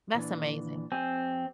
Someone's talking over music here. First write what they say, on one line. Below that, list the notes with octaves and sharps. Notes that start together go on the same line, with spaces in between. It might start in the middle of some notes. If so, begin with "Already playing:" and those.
That's amazing.
A#2 E3 D4
F2 C4 G4 G#5